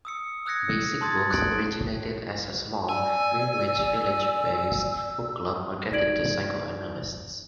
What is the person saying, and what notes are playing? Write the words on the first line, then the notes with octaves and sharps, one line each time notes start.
Basic Books originated as a small, Greenwich Village-based book club marketed to psychoanalysts.
D#6 E6 C#7
D#6 E6 F#6 G#6 A#6 C#7
A5 C6 D#6 G#6 A6
F#6 G#6 D7 F#7
D5 G#5 E6
D#4 D5 G#6 D7 F#7